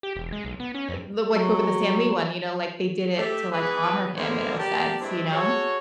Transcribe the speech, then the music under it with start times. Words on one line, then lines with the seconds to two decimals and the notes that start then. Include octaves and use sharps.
uh like go with the Stan Lee one, you know, like they did it to like honor him in a sense, you know?
0.03 G4
0.16 E1
0.32 G#3
0.45 B1
0.60 B3
0.74 C#4
0.89 F2
1.33 F#3
3.17 A3 G4 E5
3.52 E3 G#3 B3 G#4 B4
4.16 D3 A#3 B3 A#4 C5 C#5
4.58 G4 A#4 D5 A5
5.00 G2 G#3 C4 D4 E4
5.32 F#4 G#4 A4 C#5